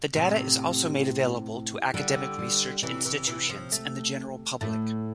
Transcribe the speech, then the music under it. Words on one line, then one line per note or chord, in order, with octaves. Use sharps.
The data is also made available to academic research institutions and the general public.
A2 C3
D3 G3
G3
C3 E3
E3
E3
F3
A3
A2 A3